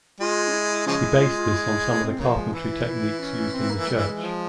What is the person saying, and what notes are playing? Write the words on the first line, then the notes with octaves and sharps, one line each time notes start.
He based this on some of the carpentry techniques used in the church.
G#3 F4
C#4
E4
C#3 F3 G#3 C#4
E4
E4
F4
F4
E4
E4
E4
C4
C#3 F3 A#3
G#3
E3 E4
E4
E4
C#4
C4
A#3
G3
G#3
F3